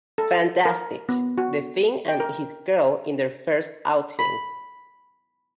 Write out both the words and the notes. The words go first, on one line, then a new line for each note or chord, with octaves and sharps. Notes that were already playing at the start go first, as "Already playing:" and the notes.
Fantastic, the Thing and his girl in their first outing.
A4
A#4
B3
F#4
G5
A#4
B5